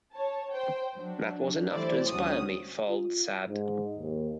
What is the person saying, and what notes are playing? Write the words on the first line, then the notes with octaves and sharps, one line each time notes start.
"That was enough to inspire me", Fuld said.
C#5 A5
C5 G5
F#3 D4
E3 G3 A3 E4 C5 D5
D2 G3 C#4 F#4 D#6
F4
G#2
D#2